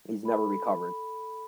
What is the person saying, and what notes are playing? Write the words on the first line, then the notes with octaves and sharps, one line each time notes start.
He's never recovered.
A4 B5